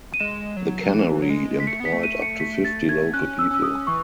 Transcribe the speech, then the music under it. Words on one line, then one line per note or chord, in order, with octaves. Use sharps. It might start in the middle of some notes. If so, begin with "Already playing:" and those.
The cannery employed up to fifty local people.
D#7
G#3 E7
F#3
F#3
E3
F#3
G#3
B6
A3 C#7
B3
B6
A3
D#7
C#7
B6
A6
G#6
C#4 F#6
E6
C#4 E6
D#6
E3 C#6